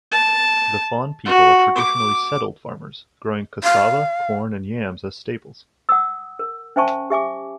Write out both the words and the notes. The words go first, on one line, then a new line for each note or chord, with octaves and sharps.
The Fon people are traditionally settled farmers, growing cassava, corn and yams as staples.
A5
F#4
D6
F5
F#5 D#6 E6
A#4
C#4 C5 E5 G#5 A5 C#6
G4 E5 G#5 D6